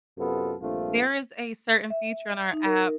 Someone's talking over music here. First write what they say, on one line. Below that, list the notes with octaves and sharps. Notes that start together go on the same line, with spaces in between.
there is a certain feature on our app,
F#2 C3 B3 F4 A4
A#1 G2 A3 C4 F4
E5
D#4
A#4